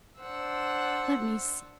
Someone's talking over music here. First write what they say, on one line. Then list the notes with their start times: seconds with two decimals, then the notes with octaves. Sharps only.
Let me see.
0.20 D4 C5 F#5 E6